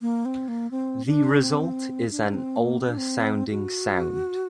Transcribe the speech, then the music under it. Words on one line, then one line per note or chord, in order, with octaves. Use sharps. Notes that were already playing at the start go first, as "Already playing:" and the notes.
The result is an older sounding sound.
A#3
C4
A#3
C4
D4
C4
D4
D4
C4
A#3
C4
D4
C4
F#4